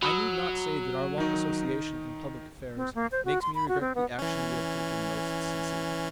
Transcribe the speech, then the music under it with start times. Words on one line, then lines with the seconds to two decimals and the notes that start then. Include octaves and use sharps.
I need not say that our long association in public affairs makes me regret the action you have taken most sincerely.
0.02 F#3 B5 D#6 E6
1.18 D#3 D#4
2.76 C4
2.95 A#3
3.12 C5
3.25 F#4
3.42 C6
3.55 B5
3.68 F#4
3.81 C4
3.95 B3
4.19 E3 C#4